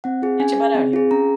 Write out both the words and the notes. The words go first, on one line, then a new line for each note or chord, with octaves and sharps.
get your butt out here."
C4 F#5
F4 G#4
C#4 G#5
G#4
C4
F4 G#4
C#4 A#5